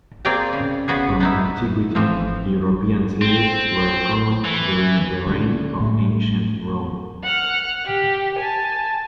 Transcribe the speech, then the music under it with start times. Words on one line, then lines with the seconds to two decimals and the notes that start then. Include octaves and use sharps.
From Antiquity, European slaves were common during the reign of Ancient Rome.
0.25 A#3 C4 G#4 D5 G5 A#5
0.53 C#3
0.88 C#3 B3 F#4 G#4
1.20 B3 D#4 E4
1.95 E3 F3 C4
3.22 C4
4.45 E3
5.27 C#2 D3
5.80 A2 G#3 A3
7.23 F#5 F6
7.86 G4
8.39 G#5 A5